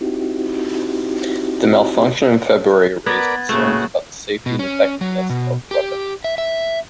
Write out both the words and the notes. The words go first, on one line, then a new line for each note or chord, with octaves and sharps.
The malfunction in February raised concerns about the safety and effectiveness of the weapon.
C4 D#4 E4 F#4 G4
B3 A#4 B4 D5 G#6 A6
A#2 C#3 A3 F#4 E7
B2
C#4
F#3
B2
G4
E5
E5